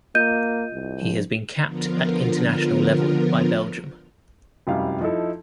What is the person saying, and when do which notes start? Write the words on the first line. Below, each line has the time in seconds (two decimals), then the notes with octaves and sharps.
He has been capped at international level by Belgium.
0.15 A#3 F4 D#5 G6 D#7
0.73 C2
1.02 F3
1.63 D3 F3 B3 F4 A#4
4.67 F1 F#2 G3 E4 F5
5.01 F3 D#4 E4 A4